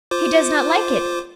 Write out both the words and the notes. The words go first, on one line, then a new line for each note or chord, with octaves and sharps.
He does not like it!
F4 C5 D6